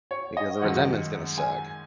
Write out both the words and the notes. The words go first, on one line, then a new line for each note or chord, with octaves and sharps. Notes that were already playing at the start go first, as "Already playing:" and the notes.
Because the resentment's gonna suck.
C#5
D#5
F#2 D#3 G#3 F#5
G#5